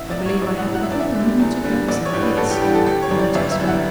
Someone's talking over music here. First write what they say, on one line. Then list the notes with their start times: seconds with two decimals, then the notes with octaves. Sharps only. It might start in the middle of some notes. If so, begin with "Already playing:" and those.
I believe I have a little diminutive note somewhere; yes, here it is.'
Already playing: A1 E5
0.10 D5
0.18 A2 F#3
0.26 C#5
0.42 A1 D5
0.58 F#5
0.67 A2 F#3
0.75 F#5
0.83 E5
0.91 E2 D5
1.00 E5
1.15 D3 G3
1.39 E2
1.64 D3 G3
1.88 A1 D5
2.06 C#5
2.13 G2 E3 G3
2.22 B4
2.37 A1 A4
2.50 G4
2.62 G2 E3 G3 G4
2.75 A4
2.86 G1 G4
3.02 C#5
3.11 F#2 E3 G3
3.19 D5
3.35 G1 E5
3.52 E5
3.60 F#2 E3 G3
3.68 F#5